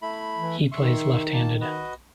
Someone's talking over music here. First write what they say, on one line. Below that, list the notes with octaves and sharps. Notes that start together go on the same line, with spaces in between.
He plays left-handed.
A3 E4 B5
E3
D#3 E5 C6 C#6
A#3 A5
F#4 B4 D#5